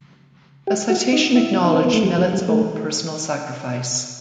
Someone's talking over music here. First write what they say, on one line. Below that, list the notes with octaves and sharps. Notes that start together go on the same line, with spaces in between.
The citation acknowledged Mellett's own personal sacrifice.
G4
F#4
D#4
E4
D#4
C4
B3
A3
G3
F#3
G3
A3